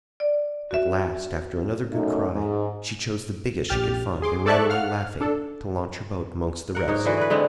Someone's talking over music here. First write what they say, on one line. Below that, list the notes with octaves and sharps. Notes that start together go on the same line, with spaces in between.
At last, after another good cry, she chose the biggest she could find, and ran away laughing, to launch her boat amongst the rest.
D5
F#4 E5
F#2 A3 D#4
G#2
A#1 G4 F6 A6
G#4 C6 D6
A4 D5 E5 A5 C#6 F#6
F5 F#5 F6
D4 A4
A#4 F#5
G#2 D#4 C#5
D3 E3 F#4
G#4 B4
D3 G#3 B3 C4